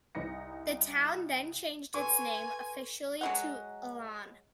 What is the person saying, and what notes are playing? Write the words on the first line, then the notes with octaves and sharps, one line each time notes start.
The town then changed its name officially to Elon.
C2 D#4 A#6 C#7
A4 B4 G#5 C6 C#6
F#3 G#3 F#5